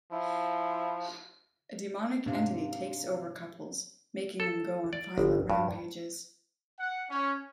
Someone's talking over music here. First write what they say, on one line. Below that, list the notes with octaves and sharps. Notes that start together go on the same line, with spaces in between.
A demonic entity takes over couples, making them go on violent rampages.
F3 E4
G#2 C3 C4 D4 F5
A4
D5
G1
G2
F#5
C#4